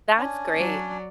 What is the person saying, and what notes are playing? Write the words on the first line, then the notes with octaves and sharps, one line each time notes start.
That's great,
C#4 D4 G#5
F#3 D5